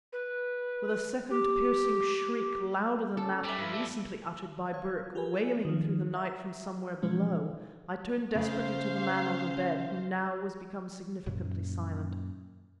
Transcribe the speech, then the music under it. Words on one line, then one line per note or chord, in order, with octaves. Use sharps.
With a second piercing shriek, louder than that recently uttered by Burke, wailing through the night from somewhere below, I turned desperately to the man on the bed, who now was become significantly silent.
B4
G4
C#4 A4 D5
G3 C#4 D5 E5
G2 F4 B4
E3 G3 A3 E4 A4
C#5 F5 G#6
F4 G4 G#4 A#4 B4 G#5
D#3 F3
E5 A#5
B2 E3 F3 G#3 C#4
C#3 A3 C5 F5
F#2 A#2